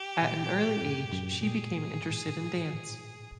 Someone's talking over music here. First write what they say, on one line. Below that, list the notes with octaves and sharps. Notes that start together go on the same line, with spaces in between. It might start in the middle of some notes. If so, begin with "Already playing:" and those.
At an early age she became interested in dance.
Already playing: G4
A#2
A2
F#2
F#2
A#2 G#4
A2
G#2